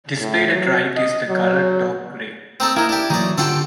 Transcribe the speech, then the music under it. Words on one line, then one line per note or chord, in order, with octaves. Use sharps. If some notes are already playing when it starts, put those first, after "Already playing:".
Displayed at right is the color taupe gray.
A2
F#3
D#5
F#3
C4 D#4 A4
A#3 D#4 E4
D4 G4
E3 F#3 A#3 D#4 D5
D3 F4 G4 A4 F#5 G5